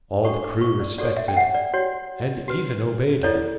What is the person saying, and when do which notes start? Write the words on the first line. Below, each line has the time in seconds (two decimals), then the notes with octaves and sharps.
All the crew respected and even obeyed him.
0.24 D4 F#4 A4 C#6
0.43 D6
0.61 C#6
0.80 D5
0.98 F#4 A4 C#5 D5
1.17 E5
1.28 G5
1.37 F#5
1.54 D5
1.74 F#4 C#5
2.48 F#4 B4
3.23 E4 A4 C#5 D5